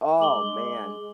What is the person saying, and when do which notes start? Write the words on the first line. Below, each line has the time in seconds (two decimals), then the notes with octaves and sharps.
Oh, man.
0.20 G#3 D6 F#7 G7